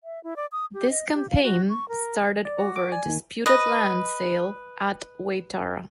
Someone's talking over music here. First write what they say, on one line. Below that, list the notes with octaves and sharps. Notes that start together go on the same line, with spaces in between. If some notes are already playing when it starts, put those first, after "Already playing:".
This campaign started over a disputed land sale at Waitara.
E5
E4
D5
D#6
G4
D#5
G4
F5
F#4
C#6
A#4
D5
F#4
D6
D5 G#5
D#2 D#3
B4 D#5